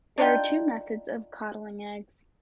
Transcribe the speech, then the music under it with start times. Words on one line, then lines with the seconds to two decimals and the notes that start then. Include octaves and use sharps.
There are two methods of coddling eggs.
0.18 D4 D#4 F4 G5